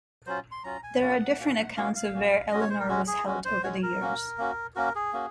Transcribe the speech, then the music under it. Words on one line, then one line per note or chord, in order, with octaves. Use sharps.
There are different accounts of where Eleanor was held over the years.
F#3 C#4 F4 C5
C6
F#3 C#4 F4 A#5
G#5
A#3 C#4 F#4 F#5
A#3 C#4 F#4
A#3 C#4 F#4 F5
F5
A#3 C#4 F#4
G#3 C#4 F#4 D#5
C#5
C5
A#4
G#3 C#4 F#4
G#4
G#3 C#4 F#4
C5
G#3 C#4 F#4 C#5
A#4
A#3 C#4 F#4
A#3 C#4 F#4
A#3 C#4 F#4 A#4
G#4
A#3 C#4 F#4